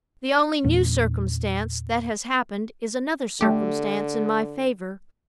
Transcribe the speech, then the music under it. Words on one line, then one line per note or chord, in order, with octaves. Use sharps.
The only new circumstance that has happened is another circumstance in my favor!
E2 A#2 D4
D3 A3 G4